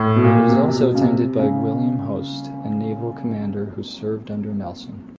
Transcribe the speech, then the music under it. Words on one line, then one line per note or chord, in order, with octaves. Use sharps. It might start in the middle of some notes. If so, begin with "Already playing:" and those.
It was also attended by William Hoste, a naval commander who served under Nelson.
Already playing: A2
B2
A#2
C3
C3
B2
C#3
C3
C#3